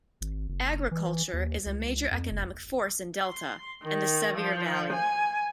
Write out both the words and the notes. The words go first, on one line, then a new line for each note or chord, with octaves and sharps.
Agriculture is a major economic force in Delta and the Sevier valley.
G#1
F#1
E3
D#2
C#2
F2
F#1
C6
D#3
F3
G#5